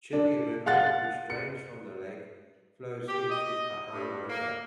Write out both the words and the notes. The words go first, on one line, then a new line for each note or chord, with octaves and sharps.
Chini River, which drains from the lake, flows into Pahang River.
D4
F5 F#5 F#6 A6
C#7
G4
D#5
G2
A#3